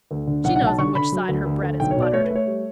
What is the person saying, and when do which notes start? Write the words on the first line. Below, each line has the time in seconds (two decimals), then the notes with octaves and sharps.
She knows on which side her bread is buttered.
0.11 D2
0.27 D3
0.44 B1 F#5
0.56 F#5
0.62 B1
0.67 A5
0.78 D3 C#6
0.95 D3 B5
1.12 F#3
1.29 D2
1.46 D2
1.63 D2
1.80 B1 G5
1.91 C#5
1.96 B2
2.02 D5
2.13 A3 C#5
2.24 B4
2.30 A3
2.35 C#5
2.47 G3